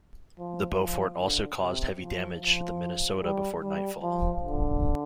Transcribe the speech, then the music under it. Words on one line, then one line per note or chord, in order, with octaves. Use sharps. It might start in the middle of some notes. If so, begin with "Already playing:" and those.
The "Beaufort" also caused heavy damage to the "Minnesota" before nightfall.
F3
F3
D3
C3
F3
F3
G3
G3
F3
D3